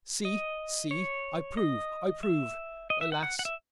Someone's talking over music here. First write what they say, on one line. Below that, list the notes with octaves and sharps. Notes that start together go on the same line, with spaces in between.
'See! see! I prove; I prove.' Alas!
D#5
C#5
D#5
E5
D#5
E5
F#5
F#5
F#5
E5